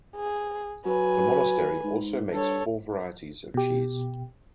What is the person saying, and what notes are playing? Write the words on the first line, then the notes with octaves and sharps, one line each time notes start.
The monastery also makes four varieties of cheese.
G#4
F#3 B4 G#5
G#2
G2 A4 C#5
B2 G4